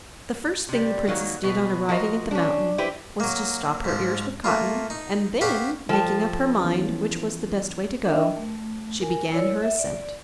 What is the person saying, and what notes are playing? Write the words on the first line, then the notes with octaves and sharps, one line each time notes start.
The first thing the princess did on arriving at the mountain was to stop her ears with cotton, and then, making up her mind which was the best way to go, she began her ascent.
C3 G3
D#3 F#3 A#3
B2 B3
F3 F#4 A#4 D#5
C#4 D4
E4 G4 B4 C5
F#3 A#3
G#2 F3
A3 A#3 F4
D#4
B3 F#4 G4 F5 F#5
F3 A4 G5 A5
E3 B3 C#4
D4 A#4 D#5 E5 G5
A3
A#4 G#5
E4 C#5 D5
E5
D5